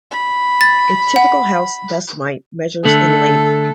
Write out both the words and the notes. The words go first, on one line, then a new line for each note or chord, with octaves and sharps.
A typical house dust mite measures in length.
B5
A6
F#5
D3 A3 A4